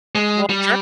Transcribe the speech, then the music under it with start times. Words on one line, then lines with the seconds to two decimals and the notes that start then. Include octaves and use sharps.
Well, sure.
0.15 G#3
0.50 G3